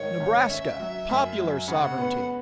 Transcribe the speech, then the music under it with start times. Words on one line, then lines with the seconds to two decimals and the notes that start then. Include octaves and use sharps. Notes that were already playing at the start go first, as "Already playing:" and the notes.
Nebraska--Popular Sovereignty.
Already playing: G#1 D#3 G#3 C#5
0.20 G#1
0.50 C#4 E5
0.80 F#3
1.09 F#2
1.39 F#3
1.68 C#3 F#5
1.98 B3